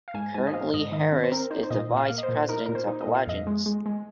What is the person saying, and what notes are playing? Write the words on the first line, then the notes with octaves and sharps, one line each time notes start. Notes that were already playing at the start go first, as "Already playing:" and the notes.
Currently Harris is the Vice President of the Legends.
F5
G#2 G#5
G#2 G#5
D#5
C4 F5
G#2 D#5
D#3 D#5
C4
C5
C4 A#4
D#4 C5
C5
A#2 D#5
A#2
F5
A#3
D#5
C5
A#2
D#4 A#4
A#2 A#4
C5
D#4
D#5
A#2
F5
F2 D#5
G#3
G#3
G#3